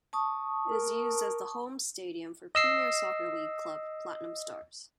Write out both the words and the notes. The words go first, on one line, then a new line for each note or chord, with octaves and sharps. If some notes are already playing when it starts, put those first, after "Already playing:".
It is used as the home stadium for Premier Soccer League club Platinum Stars.
A5 C#6 D#6
A#4
D#5 E6 C7